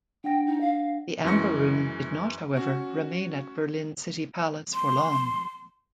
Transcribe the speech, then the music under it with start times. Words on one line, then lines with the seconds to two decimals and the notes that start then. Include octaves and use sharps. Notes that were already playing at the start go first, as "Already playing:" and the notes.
The Amber Room did not, however, remain at Berlin City Palace for long.
0.24 D4 F#5 G5 A#6
0.46 D#4
0.61 F5
1.24 F#2 E3 G#3 C#6 A#6 C#7
2.54 C#4 F#4
4.74 C6